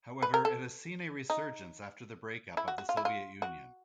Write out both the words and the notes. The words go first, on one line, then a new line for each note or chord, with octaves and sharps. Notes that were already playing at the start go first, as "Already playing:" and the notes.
However, it has seen a resurgence after the break-up of the Soviet Union.
B4
A#4
A4
D#4
E4
F#4
F#4
F4
E4
F4
F#4